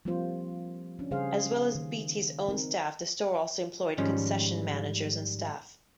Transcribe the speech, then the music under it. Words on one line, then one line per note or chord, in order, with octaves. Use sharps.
As well as Beatties own staff the store also employed concession managers and staff.
F3 G3 A#3 C4 F4 C5
C#4 D4
C#3 G3 G#4 C5 F5
D#3 A#3
C4 D#4 A#4
G#2 D#3 F3 G3 G#3 C#4